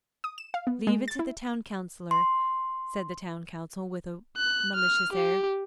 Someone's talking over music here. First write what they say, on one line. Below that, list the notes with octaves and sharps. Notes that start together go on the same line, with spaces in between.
'Leave it to the Town Counsellor,' said the town council with a malicious air.
D#6
E7
F5
B3
G#3
A6
E4
C6
F#6
F6
G4